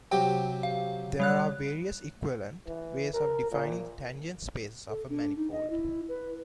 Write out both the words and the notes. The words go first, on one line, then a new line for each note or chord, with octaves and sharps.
There are various equivalent ways of defining the tangent spaces of a manifold.
C3 F#3 G4 G5
F5
G3 C#5 F#6
E3
A#4
A#2
A4
D4
D#4
D#5
E4
B4